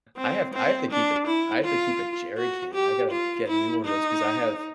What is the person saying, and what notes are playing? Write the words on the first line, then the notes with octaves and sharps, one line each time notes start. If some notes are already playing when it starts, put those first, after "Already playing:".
I have to I have to keep a I have to keep a jerry can, I gotta get a new one of those 'cause I have
C4
C4
D4
E4
F4
F#4
G4
F4
E4
D#4